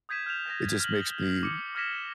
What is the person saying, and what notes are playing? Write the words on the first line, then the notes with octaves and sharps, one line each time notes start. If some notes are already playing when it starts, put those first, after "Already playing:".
it just makes me,
D#6 G6 G#6 B6 D#7 E7
F6 G6 E7 F7
A6 A#6
F6 F#7
D6 D#6 C#7
D6 F6 G#6 A#6 B6 E7